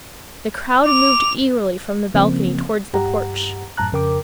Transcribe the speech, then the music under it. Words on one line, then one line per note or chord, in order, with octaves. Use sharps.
The crowd moved eagerly from the balcony toward the porch.
D6 F7
C#3 F3 A#3 C4
G2 G4 F#5 A#5
F#2 A2 A5 A#5 F#6
F2 C#3 A#4 G5 D6